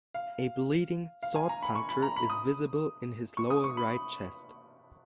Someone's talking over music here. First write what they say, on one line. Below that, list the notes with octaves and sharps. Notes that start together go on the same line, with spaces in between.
A bleeding sword puncture is visible in his lower right chest.
F5
F5
G#5
A#5
B5
C#6
B5
A#5
B5
D#6
C#6
D#6
C#6
B5